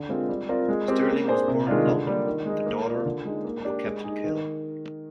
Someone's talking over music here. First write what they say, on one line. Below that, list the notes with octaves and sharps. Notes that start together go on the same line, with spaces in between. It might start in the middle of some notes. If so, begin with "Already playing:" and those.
Stirling was born in London, the daughter of a Captain Kehl.
Already playing: D3
G#3 C4 F4 A#4
G3
C4 F4 A#4 D5
G#3
C4 G4 A#4
A#3
D4 G#4 C5
C3
D#3 G#3 D4 F4
D3
G3 A#3
D#3
G#3 D#4
A#3
F4 A#4 D5
D3
G#3 D#4
A#3
D4 G4
G#3
D#4 G#4
D#3